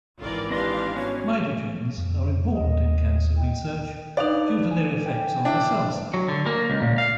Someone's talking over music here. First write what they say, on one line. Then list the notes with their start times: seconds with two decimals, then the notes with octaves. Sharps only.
Mitogens are important in cancer research due to their effects on the cell cycle.
0.19 G#1 E3 F4 A#4 D5
0.51 C4 D4 G4 B4 D#5 F5 C6
0.96 B3 C#4 F#4 C#5
1.98 F2
2.54 D#2 D#5
3.38 G5
4.17 D4 D#4 B4 D5 F5
4.71 G#5
5.06 G5
5.45 D4 E4 G5
6.14 F#3
6.29 D3
6.46 A#3
6.70 C#2
6.82 A#2
6.98 F5